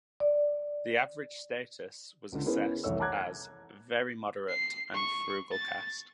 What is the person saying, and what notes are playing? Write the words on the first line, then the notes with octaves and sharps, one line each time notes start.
The average status was assessed as "very moderate and frugal cast".
D5
C#2 D3
B3 C#4 E4 G#4 A#4 B4
F1 C2 E3 A4 C#5 E6
F#5 A5 A#5 D6 F#6 G#6
C7
C#6
A6